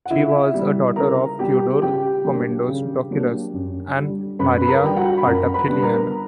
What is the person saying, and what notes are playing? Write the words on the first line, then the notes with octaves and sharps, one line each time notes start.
She was a daughter of Theodore Komnenos Doukas and Maria Petraliphaina.
F#5
C#3 E4 E5
G3 B3
C#3 A#4 A#5
G3 B3 G4 G5
C#3 G4 G5
F#3 A#3 D4
C#3
F#3 A#3 D4
F#2
D3 G3
F#2 B4 B5
B5
A#4 A#5
D3 G3 G5
F#4 F#5
B5
F#2 A#4 A#5
B4 B5
D3 G3 B3 D4
A#4 A#5